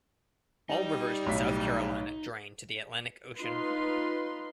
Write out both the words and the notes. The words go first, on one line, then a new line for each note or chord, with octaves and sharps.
All rivers in South Carolina drain to the Atlantic Ocean.
G3 D#4
B1 A2 B6
D#4 F4 B4 C6